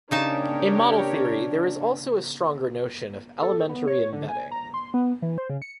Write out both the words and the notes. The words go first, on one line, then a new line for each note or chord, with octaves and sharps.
In model theory there is also a stronger notion of elementary embedding.
C#3 D4 D#4 G4 A#4 C#5 A5
A4
B3
C#5
D3
G#5
A#5
C6
B3
E3
C5
C#3
C#7